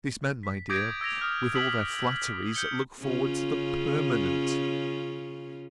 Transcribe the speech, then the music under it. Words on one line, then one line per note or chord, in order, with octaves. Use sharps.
These men, my dear, with all their flatteries, look forward to the PERMANENT.
B6
D6 D#6 G6 G#6 A#6 D7
E6 G#6 A#6 F7
D#6 F6
D#6 E6 G#6 B6 F#7
G6 C#7 G7
C#3 C#4 F4